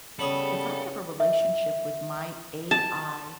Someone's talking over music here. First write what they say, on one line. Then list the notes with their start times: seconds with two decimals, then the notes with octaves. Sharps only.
if I have a relationship with my AI
0.19 C#3 G3 B3 G#4 A4 C#5 B5
1.20 E5
2.71 A5